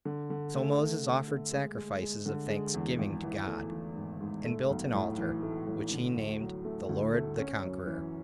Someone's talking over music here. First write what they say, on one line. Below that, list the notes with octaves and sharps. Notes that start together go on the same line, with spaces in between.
So Moses offered sacrifices of thanksgiving to God, and built an altar, which he named The Lord the Conqueror.
D3
D3
A3
A3
A4
A3
G#3
G#3
G#3
D3
G#3
E2
G#1
E3
A3
E3
G#2
G#2
A3
B1
A2
E3
A3
A2
D3
D2
F#3
A3
D2
A3
C#4
F#2
E3